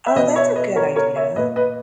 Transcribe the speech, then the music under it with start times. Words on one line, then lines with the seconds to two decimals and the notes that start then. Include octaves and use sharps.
Oh, that's a good idea.
0.06 E5
0.16 B2 B4 D#5
0.36 C#5 E5
0.56 B4 D#5
0.76 A#4 C#5
0.96 A#4 C#5
1.16 C#5 E5
1.36 A#2 B4 D#5
1.56 B4 D#5